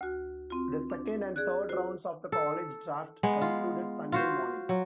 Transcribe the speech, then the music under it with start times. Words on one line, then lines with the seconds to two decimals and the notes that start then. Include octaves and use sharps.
The second and third rounds of the college draft concluded Sunday morning.
0.01 D2 F#4
0.50 C4 F4
0.90 D4
1.36 G#4 D5 F#6
1.69 F4 F#4 C5
2.32 A4
3.23 G#3 B3
3.42 F4
4.12 F4 F#4 C5
4.69 F#3